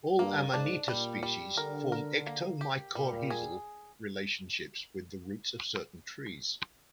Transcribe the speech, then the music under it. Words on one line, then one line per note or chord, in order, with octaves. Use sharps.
All "Amanita" species form ectomycorrhizal relationships with the roots of certain trees.
G2 A#3
G#2 D4
A#2 G3
G3
D3 A#4
A#4
A#3
G4
A#2 G3
G#4